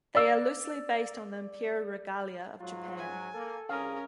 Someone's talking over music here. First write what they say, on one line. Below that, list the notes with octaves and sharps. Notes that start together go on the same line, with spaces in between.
They are loosely based on the Imperial Regalia of Japan.
D5 E6
G#2 F#3 F4
G#5
A#3 A4
C2 C#4 G#4 A#4 F5